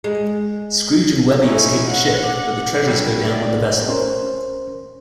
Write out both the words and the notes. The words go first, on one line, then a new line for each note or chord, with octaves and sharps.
Scrooge and Webby escape the ship, but the treasures go down with the vessel.
G#3
C#4 D#4 E4
F#5
D6
D3 F#3 G3
D5
C#4 A#4 C5